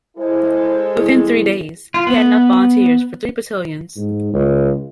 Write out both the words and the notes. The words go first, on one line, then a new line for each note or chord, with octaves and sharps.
Within three days, he had enough volunteers for three battalions.
G#3 E4 A4 C5
E2 G3 E4 G#4
F4
B3
G#2
C#2